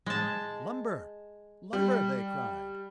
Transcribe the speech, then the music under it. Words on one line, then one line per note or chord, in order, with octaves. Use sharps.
"Lumber! lumber!" they cried.
G#3 A5
G3